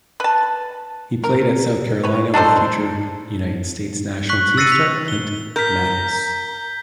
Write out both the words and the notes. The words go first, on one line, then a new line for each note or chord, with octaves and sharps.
He played at South Carolina with future United States national team star Clint Mathis.
B4 A5
A#4
B4 C#5
D4 D#4 A4 C5
C#6 F#6 B6 F#7
E6 A6 A#6 C7 C#7 D#7
B6 F7
G7
A#4 G6 B6